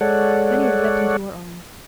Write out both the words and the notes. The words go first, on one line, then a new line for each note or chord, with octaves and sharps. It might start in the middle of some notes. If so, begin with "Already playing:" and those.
Then he had leapt into her arms.
G#3 A4 C#5 D5 F#5